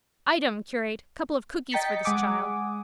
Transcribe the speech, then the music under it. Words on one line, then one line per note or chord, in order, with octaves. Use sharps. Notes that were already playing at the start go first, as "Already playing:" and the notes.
Item, curate, couple of cookies for this child.
D#5 G5 A#5 A6 B6 C#7
G#3 F#5 G#5 D6 D#6